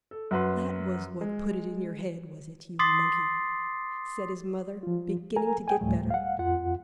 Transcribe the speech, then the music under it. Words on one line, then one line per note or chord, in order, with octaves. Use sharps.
"That was what put it in your head, was it, you monkey?" said his mother, beginning to get better.
A4
F#2 F#4 B4 C6
G#3
C6 D6 D#6 A6 B6 C7
F3 F4
A4 A#4 G#5 A#5
G#4 G5 G#5
D2 A2 F3 G3 A3
F5 F#5
F2 F4 F#5